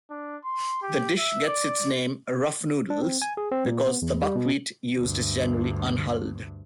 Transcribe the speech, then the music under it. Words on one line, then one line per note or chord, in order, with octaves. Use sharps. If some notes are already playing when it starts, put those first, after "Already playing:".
The dish gets its name "rough noodles" because the buckwheat used is generally unhulled.
D4
C6
G4
E5
D5
D4
C4
G#5
G#4
C4
A#2
B3
E2
G3
B2
D2 G2